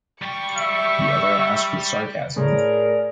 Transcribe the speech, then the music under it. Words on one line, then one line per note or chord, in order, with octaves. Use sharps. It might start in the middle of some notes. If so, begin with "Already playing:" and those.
The other asked with sarcasm.
G3 G5 C#6
E5
A2 G#4 A#4 D5